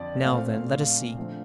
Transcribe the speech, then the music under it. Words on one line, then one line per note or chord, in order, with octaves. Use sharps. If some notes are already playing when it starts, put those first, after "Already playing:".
Now, then, let us see.
Already playing: F2 D3 F3 D5
A#2 A3 C4 F5
D3 F3 A3